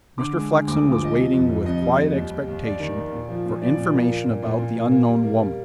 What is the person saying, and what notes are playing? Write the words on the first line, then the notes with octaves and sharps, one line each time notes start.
Mr. Flexen was waiting with quiet expectation for information about the unknown woman.
D3 D6
G#3
D3
D2 D6
D#6
F3
D6
F3 D#5
C3
F2
F2
F2 D#5
G3
G3
D#2
G3
D#2
D#2 D5
D#3
D#3
A#2
F3
A#2
F3 D5
A#2
A#3
A#3
A#2
A#2
A#2
A#3
A#3
G3
A#3
G3